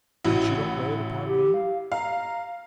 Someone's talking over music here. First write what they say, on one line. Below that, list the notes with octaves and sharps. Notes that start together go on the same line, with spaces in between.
Then she don't lay it upon me?
A1 E4 F#4
G4
F5
F5 A#5